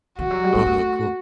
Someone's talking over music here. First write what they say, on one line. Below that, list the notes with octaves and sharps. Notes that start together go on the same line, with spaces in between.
Oh, how cool.
E3 F#4
F#3
G3
B3
A3